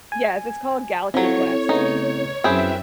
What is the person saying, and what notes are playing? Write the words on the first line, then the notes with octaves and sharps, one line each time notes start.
Yes, it's called Galaxy Quest.
G#5
F3 F#3 C4 E4 A4 C#5
C#3 A3 B3 D#4
F#2 C4 E4 G#4 B4 E5 G5